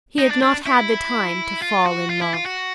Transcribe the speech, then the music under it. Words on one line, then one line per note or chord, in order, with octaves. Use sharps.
He had not had the time to fall in love.
D#4
D4
D4
E4
F4
F#4
F4
E4
F4
F#4